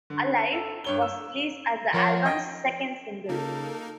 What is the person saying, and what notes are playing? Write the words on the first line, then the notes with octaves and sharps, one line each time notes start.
"Alive" was released as the album's second single.
D3
A4
G2 C#5 G7
E6
F3 A#4 C#5 F#5
D#5 G5
C#3 A#3 D#4 A4 A#4